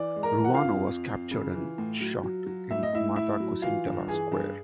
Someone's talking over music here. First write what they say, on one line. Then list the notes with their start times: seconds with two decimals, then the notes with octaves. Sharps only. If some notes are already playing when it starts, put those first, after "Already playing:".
Ruano was captured and shot in Mataquescuintla Square.
Already playing: E3 D5
0.16 G#3
0.23 A#4 A#5
0.39 E3
0.44 F#5
0.54 F4 F5
0.62 F2
0.86 F2
1.08 F2
1.31 C#3
1.55 E3
1.78 A2
2.01 F#3
2.23 F#3
2.46 F#3
2.71 A2 E5
2.83 D#5
2.93 A2 E4 E5
3.16 A2 E4 E5
3.40 F#3
3.62 E3 F4 F5
3.86 G2
4.08 E3 G#4 G#5
4.32 G2